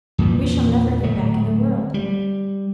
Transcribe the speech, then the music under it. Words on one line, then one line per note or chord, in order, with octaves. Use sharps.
We shall never get back in the world!
E2 A#2 D#3 E3
D1 A3
G3